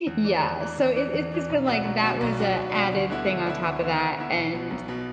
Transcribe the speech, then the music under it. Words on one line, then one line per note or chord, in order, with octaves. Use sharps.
Yeah. So it it's just been like that was a added thing on top of that, and
E2
E3 D4
E2
E3 D4
E2
E3 D4
E2
E3 D4
B1
B2 B3 D4 F#4
B1
B2 B3 D4 F#4
B1
B2 B3 D4 F#4
B1
B2 B3 D4 F#4
D2
D3 B3 E4
D2
D3 B3 E4
D2
D3 B3 E4
D2
D3 B3 E4
B1
B2 B3
B1
B2 B3